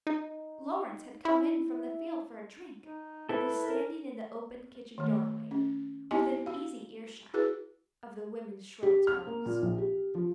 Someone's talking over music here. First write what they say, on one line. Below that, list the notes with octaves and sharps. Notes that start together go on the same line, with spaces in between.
Lawrence had come in from the field for a drink, and was standing in the open kitchen doorway, within easy earshot of the women's shrill tones.
D#4
E4
D#4
E4 A4 B4
A#4
D#3 A3
C#4
B3 D#4 E4 G4 D#5 G#5
F#4 F5
E4 F#4 G#4 B4
G4
F6
A#3
A#2
A#1
G4
F3